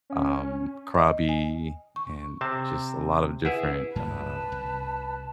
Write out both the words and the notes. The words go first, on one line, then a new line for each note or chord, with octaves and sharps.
um, Krabi and just a lot of different, uh
C#4
D#5
G#5
C#6
C3 C4 A5
E4 G#4 B4 E5 F#5
G2 G3 A#3 B4 A5
C2